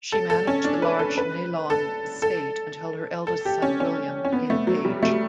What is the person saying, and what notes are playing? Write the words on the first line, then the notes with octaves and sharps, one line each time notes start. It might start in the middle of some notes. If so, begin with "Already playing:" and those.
She managed the large Neylon estate until her eldest son William came of age.
A4
A4
C#4
D4
B4
A4
B4
A4
A4
A4
G4
C#4
C#4
C#4
B3
A3
F#3
G3
A3